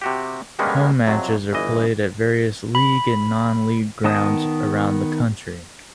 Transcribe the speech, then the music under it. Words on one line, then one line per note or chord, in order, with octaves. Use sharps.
Home matches are played at various League and non-league grounds around the country.
C3 F#4 G4
D3 G3 G#3 A#3 B3 C#4
F2 C3 F#3
G1 E3 D#5
B5
D#3 B3 D#5 A5 D#6